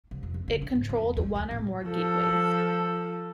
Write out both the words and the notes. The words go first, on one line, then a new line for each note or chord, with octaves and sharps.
It controlled one or more gateways.
C2
F2
D#2
D3
D4
G#2
F3
F2
D#2
D#3
A1
F3 A4